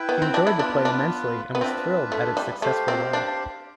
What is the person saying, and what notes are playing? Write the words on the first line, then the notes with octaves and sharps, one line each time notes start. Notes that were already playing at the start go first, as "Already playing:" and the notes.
He enjoyed the play immensely and was thrilled at its successful run.
Already playing: E4 B4 E5 G5
B3
C4
D4
E4
B3 D4 F4 B4
D4
B3
C4 D4 F4 B4 E5
A3
G3
A3 G4 C5 F5
C4
D4